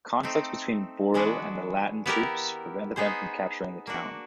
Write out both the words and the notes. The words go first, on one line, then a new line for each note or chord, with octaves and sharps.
Conflicts between Boril and the Latin troops prevented them from capturing the town.
A3 C4 D#4
E3 G#3 B3 D4 F#4
B3 E4 G4 A#4
B3 D#4 G#4 C5
A#3 D4 F#4